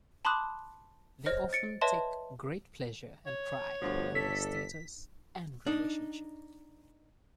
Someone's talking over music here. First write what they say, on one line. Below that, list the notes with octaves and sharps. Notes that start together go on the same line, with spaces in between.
They often take great pleasure and pride in their status and relationship.
A5 B5 C6 D6 D#6 F#6
C5 C#5 D#5 F6 A#6
A6 C#7 D7
B4 C#5 D#5 E5 A5 C6
C#5
G1 D2 F3 F#5
D4 A4 B6
D4 D#4